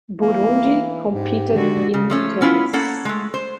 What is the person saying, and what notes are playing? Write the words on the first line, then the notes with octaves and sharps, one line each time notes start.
Burundi competed in tennis.
E3 A#3
G#2 G4
D3 G#3 F#4
C#3
F3 A3 C#4
B3 C#4 E4 F4
A#3 C#4 A4 F#5
G#3 A3
C5